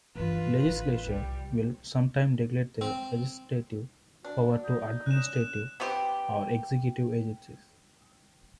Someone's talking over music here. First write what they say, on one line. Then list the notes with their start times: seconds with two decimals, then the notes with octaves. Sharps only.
Legislatures will sometime delegate their legislative power to administrative or executive agencies.
0.15 G2 E3 F4 B4
0.64 A1 D3
1.07 C2 G3
2.81 C4
4.24 D4 F#4
4.64 D#4
5.06 C#4 F#6 E7
5.80 B3 C4 G4